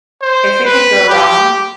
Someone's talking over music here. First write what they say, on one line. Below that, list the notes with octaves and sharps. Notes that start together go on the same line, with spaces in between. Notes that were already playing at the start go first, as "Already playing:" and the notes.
if it could go wrong,
C5
B4
G4